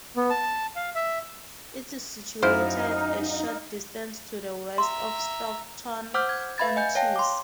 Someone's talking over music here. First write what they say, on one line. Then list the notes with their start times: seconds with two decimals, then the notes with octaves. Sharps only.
It is situated a short distance to the west of Stockton-on-Tees.
0.17 B3
0.30 A5
0.76 F5
0.95 E5
2.42 F#2 D#4 E4 C5 F5
4.78 E5 A#5 C6
6.14 C5 F#5 D6 E6 F6 G6
6.29 G#6
6.58 B4 E5 F5 B5 G#6 A6
6.76 D#5 G#5 G6
6.95 C#5 F5 G5 A5
7.16 C6 D6